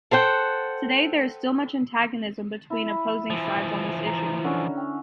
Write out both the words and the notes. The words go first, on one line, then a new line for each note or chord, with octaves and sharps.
Today, there is still much antagonism between opposing sides on this issue.
A4 C5 F#5 G5
E4 B5
E3 F3
A#5
D3 C#4